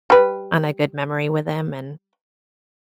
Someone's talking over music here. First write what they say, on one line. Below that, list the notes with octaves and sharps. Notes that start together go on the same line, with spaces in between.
on a good memory with him, and
G3 B4